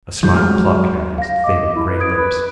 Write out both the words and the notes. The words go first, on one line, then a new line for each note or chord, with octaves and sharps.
A smile plucked at his thin, gray lips.
F2 G3 A3 G6
F#3 G#3 F6
F5 A#6
D#5 D6
E4
B4
D#6 G#6 D7
B4